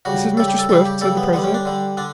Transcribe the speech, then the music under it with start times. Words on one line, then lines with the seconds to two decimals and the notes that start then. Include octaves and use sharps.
"This is Mr. Swift," said the president.
0.05 C#3 G3 F#4
0.37 C#3 G3 A4
0.48 G4
0.59 A4
0.69 C#3 G3 A4
0.85 G4
1.01 C#3 G3 A4
1.17 B3
1.33 D3 G3 B3
1.44 C#4
1.54 D4
1.65 D3 G3
1.97 D3 D4